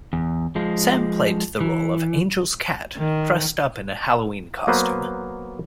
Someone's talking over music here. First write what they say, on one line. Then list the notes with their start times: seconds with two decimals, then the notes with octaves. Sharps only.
Sam played the role of Angel's cat, dressed up in a Halloween costume.
0.13 E2
0.56 F3 G#3
1.60 E3
2.98 D#3
4.67 F#3 A#3 B3 B4 C5